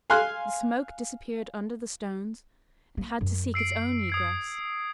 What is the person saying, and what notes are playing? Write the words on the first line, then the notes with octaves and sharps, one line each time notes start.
The smoke disappeared under the stones, and had to seek its own egress.
F5 G#5 C6 F6 F#6
A#3
F#2
E6 C7 D7
D#6 G#6 C7